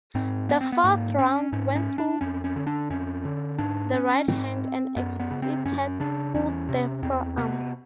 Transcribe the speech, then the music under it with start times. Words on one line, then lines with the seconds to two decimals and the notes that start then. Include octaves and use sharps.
The fourth round went though the right hand and exited through the forearm.
0.15 G#2 C4
0.49 B3
0.61 C4
0.72 B3
0.84 G#2 A#3
1.19 C#4
1.53 G#2 C#4
1.75 C#4
1.98 D4
2.21 F2 C#4
2.44 C#4
2.56 D3
2.67 D4
2.90 F2 C#4
3.25 D3
3.58 G#2 D4
3.93 C#4
4.28 G#2 C4
4.96 F#2 B3
5.20 B3
5.31 C#3
5.42 C4
5.65 F#2 C#4
6.00 C#3 D4
6.34 E2 C#4
6.69 C3
7.03 E2 C4
7.37 C3 B3